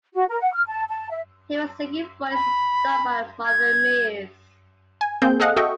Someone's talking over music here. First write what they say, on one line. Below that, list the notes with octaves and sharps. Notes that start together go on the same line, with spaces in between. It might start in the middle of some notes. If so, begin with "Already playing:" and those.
Hayworth's singing voice was dubbed by Martha Mears.
F#4
A#4
F#5
F6
A5
A5
E5
B5
G#6
G#5
A#3 C4 G#4 G6
G#4 A4 D#5 F5 F#5
F#4 A4 D#5 E5 G5 C#6